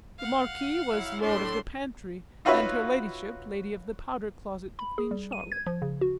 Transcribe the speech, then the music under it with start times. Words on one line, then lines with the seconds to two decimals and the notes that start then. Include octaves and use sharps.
The Marquis was Lord of the Pantry, and her Ladyship, Lady of the Powder Closet to Queen Charlotte.
0.19 F5 F#5
0.91 F#3 E4
1.20 A2 D4 C6
2.45 D#4 F4 F#4 B4 C#5 E5
4.79 B5
4.98 G#4
5.11 G3
5.32 D#7
5.52 G#6
5.67 F3
5.82 C#3
6.01 F#4